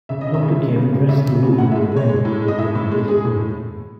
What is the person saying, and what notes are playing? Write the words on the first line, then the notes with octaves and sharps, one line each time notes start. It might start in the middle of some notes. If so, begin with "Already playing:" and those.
Doctor Kim dressed the wound with a bandage while looking disappointed at me.
C#3 E5
D#5
C#3
E5
C#3
G#3
C#3
C#3
C#3 E5
C#3
C#3
A2 F#5
E5
G#3
G#3 C#5
G#3
A2
G#3
D#5
A2 E5
A2
G#3
G#3 G#4
A2